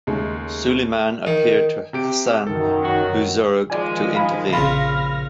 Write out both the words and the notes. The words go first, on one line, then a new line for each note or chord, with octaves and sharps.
Suleiman appealed to Hasan Buzurg to intervene.
D#2 C#3 G#3 A3
D#3
C3 G4 D7
F#2 D#3 A4
F#3 F#4
D#3 F3 G#3 D5 G#5
F5 B5
A#1 C#3 F4 B5 F6 A#6